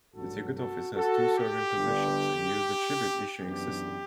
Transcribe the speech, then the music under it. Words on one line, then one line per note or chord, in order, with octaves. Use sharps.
The ticket office has two serving positions and uses the Tribute issuing system.
A1 G2 F#3 F#4 A4
F#4 A4
F#4 A4
G4
G1 G2 D3
F#2 E3 B3 D4 G4